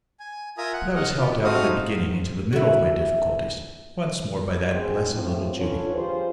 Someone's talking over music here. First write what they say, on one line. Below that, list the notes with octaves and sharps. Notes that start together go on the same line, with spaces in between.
But I was helped out of the beginning into the middle of my difficulties, once more by that blessed little Judy.
G#5
F4 A#4 E5 G#5 A#5 D#6
F#5
D#5 F5 F#5
B3 F4 G4
A3 C4 D#4 F#4 F5 D#6
E4 F#4
B3 C4 D#4 G#4
A2 F3 C4
D3 C#4 F4 A4 B4 C#5
F3 G3 F4 G#4 C5